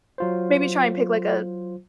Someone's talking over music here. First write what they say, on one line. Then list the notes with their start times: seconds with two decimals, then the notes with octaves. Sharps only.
maybe try and pick, like, a
0.18 F#3 F4 C5